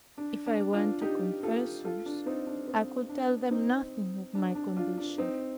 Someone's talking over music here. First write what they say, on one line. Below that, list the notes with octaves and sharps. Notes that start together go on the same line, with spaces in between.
If I went to confessors, I could tell them nothing of my condition.
D4
D4
D4 F4
D#4 G4
F4 A4
F4 A4
D4
C4 D#4
D4
C4
D4
C4 D#4
D4
D4
D4 F4
D4
C4 D#4